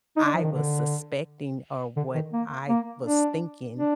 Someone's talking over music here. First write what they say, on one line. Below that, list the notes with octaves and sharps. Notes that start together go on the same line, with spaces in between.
I was suspecting or what I was thinking
D#4
D4
F3
D#3
D3
D3
D#3
A#3
A#3
D4
D4